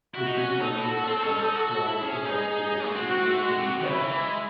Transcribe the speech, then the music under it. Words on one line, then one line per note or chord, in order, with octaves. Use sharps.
The Greek island of Kos lies along the entry into the Gulf.
E4 F#4
D#4
C#4
C#4
D#4 A4
E4
F#4
C#4
C4
C#4
D#4
F#4
F#4
E4
C#4 G#4
D#4
A3
C4 F#4
C4
A3
G#3 F#4
C3
D#3
C#3 E4
E3
G#3